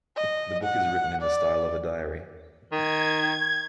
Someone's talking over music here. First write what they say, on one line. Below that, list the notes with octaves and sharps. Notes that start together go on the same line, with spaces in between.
The book is written in the style of a diary.
D#5
F#5
D5
D#3 G#6